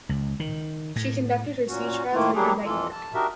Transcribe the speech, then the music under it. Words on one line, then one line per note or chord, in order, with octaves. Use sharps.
She conducted her sea trials later that year.
C#2
D#3
A2
A#2 C#4 F#4
A2 D#3 A3 A#3 E4 F4
F#3 G3 A#3 D4 G4 G#4
F2 E3 F4 A4
A5
D4 D#4 F#4 G4 A#4 E5